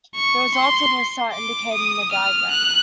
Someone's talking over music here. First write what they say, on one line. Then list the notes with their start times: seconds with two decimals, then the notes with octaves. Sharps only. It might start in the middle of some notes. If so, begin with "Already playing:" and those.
The results of this are indicated in the diagram.
0.15 C#6
0.55 C6
1.33 D6
1.72 D#6
2.12 F6
2.51 F#6